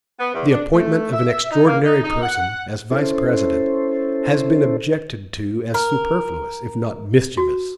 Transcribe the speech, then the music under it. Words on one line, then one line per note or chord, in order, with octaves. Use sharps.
The appointment of an extraordinary person, as Vice-President, has been objected to as superfluous, if not mischievous.
B3
E2
D4
A3
E5
D#4
A#3
D#4
D#4
F#5
C#4 E4 A4 C5
A#4
F#4